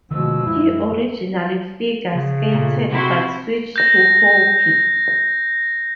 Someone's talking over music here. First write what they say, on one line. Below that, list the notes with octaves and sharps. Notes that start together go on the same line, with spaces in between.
He originally figure skated but switched to hockey.
B2 D3 E3 F3 G#3 A3 E6
F#2 E4
C#3
A#2 A3
C3 E4 F#4 C6
G6 A#6